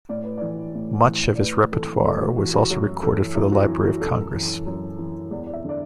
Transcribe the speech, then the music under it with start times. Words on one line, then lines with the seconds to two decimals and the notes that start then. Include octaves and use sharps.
Much of his repertoire was also recorded for the Library of Congress.
0.09 A2 D5
0.24 B4
0.38 E3 D5
0.75 A2
1.07 E3
1.35 D5
1.39 A2 B4
1.72 E3 A4
2.05 A2 A4
2.21 F#4
2.38 E3 F#4
2.54 F#4
2.70 F#2 F#4
3.03 E3 A4
3.35 F#2 E4
3.52 F#4
3.68 E3
3.84 F#4
4.00 F#2 A4
4.33 E3
4.66 F#2
4.99 E3
5.31 E2 D5
5.46 D5
5.53 E5
5.64 D3 D5